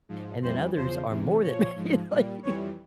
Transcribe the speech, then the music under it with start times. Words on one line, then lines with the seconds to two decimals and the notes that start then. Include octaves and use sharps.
and then others are more than ready to leave,
0.09 G#2 F3
0.42 F2 E3 G3 C5
0.76 E2 C#3 F3 C5
1.09 E2 C3 E3
1.43 A#2 F3 C#5
1.76 G#2 F3
2.09 A#2 G3
2.43 F2 E3 G3 C#5